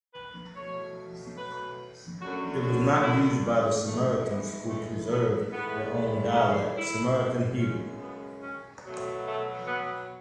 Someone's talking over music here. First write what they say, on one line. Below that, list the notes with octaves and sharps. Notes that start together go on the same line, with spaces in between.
It was not used by the Samaritans, who preserved their own dialect, Samaritan Hebrew.
B4
B2 F#3 A3 C#5
B4
F#2 D3 F#3 A3 F#4
F#4
E4
C#4
G#2 E3 G#3 A3
B3
A3
B3
A2 E3 G#3 B3
C#4
E4
F#2 C#3 G#3
C#4
B3
C#4
B2 F#3 A3
A3
B3